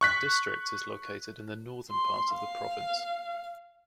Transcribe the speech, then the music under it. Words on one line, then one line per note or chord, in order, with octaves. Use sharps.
The district is located in the northern part of the province.
C#6 F#6 B6
C6
F5